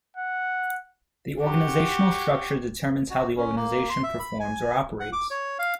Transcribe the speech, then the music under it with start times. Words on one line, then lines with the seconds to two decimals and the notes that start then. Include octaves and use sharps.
The organizational structure determines how the organization performs or operates.
0.17 F#5
1.41 F#4 G4
3.10 F#4
3.37 C#4
3.56 A#3
3.90 C6
4.03 E5
4.19 B5
4.40 G#5
5.00 F#5
5.13 D6
5.31 C#5
5.59 F5